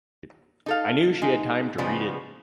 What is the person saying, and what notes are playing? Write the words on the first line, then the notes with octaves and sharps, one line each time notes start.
I knew she had time to read it.
D#4 A4 F5
G#3 D#4
C#3 F3 G3 G#3 B3